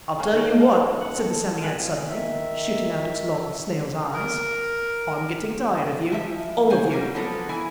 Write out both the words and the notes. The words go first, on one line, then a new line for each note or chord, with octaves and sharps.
'I'll tell you what,' said the Psammead suddenly, shooting out its long snail's eyes - 'I'm getting tired of you - all of you.
A#3 C#4
D#3
A4 A#4
F#5
C4 A4
F4 G#4 B4
D#3 E5
A#4
E3 F3 E5
C#3 C5 F#5 G#5
F#3 G3 A#3 C#4
F3 F#3 G#3 B3 A4 C5
E3 E4 G#5